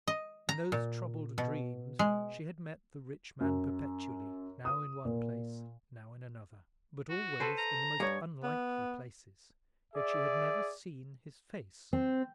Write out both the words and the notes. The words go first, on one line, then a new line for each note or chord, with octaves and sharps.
In those troubled dreams she had met the rich man perpetually: now in one place, now in another: but always in the most unlikely places: yet she had never seen his face.
D#5
A#5
A#2
B2
G#3
F#2
D#6
A#2
F#4
A4 B4 C5
A#5
G2 C#5
B3
G#4 D5 E5
C4